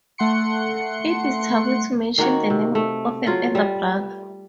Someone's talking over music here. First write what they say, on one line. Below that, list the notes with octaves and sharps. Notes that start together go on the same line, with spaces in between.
It is taboo to mention the name of an elder brother.
A3 F#5 C6 C#7
D#3 A#3 F#4 C#5
C3
A3
F#3 F4
G3